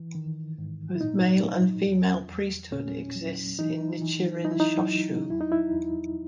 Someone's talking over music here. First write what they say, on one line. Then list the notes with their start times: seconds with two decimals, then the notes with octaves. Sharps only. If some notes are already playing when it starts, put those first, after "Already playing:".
Both male and female priesthood exists in Nichiren Shoshu.
Already playing: E3
0.15 D#3
0.58 G#2
0.95 E4
1.00 A#2 D#4
1.44 F#3
1.87 E2
2.29 E2
2.72 A#2 C#4
3.16 F#3
3.58 E3 D#4
4.01 E3
4.44 F#3 D#4
4.51 E4
4.60 D#4
4.87 F#3
5.30 E2 E4
5.41 D#4
5.52 E4
5.73 E2